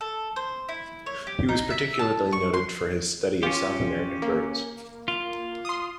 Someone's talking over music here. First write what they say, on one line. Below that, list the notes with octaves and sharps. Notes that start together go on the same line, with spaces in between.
He was particularly noted for his study of South American birds.
A4
C5
E4
C#5
G4
D#4
E5
A5
C#6
C6
C#4 F4 G4
A#3
F4
C6 D#6